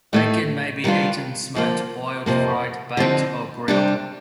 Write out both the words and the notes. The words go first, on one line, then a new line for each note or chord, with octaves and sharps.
Bacon may be eaten smoked, boiled, fried, baked, or grilled.
A2 A3 D#4
D#3 G3 D4 F4
D3 F3 A#3
F2 C3 F3 A#3
D3 F3 C4 D#4
C3 G3 D4